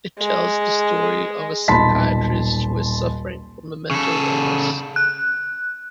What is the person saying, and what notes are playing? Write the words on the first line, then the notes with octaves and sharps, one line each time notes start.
It tells the story of a psychiatrist who is suffering from a mental illness.
G#3
D#1 B1 A5 B5 C6 B6
C#3 A4
F#6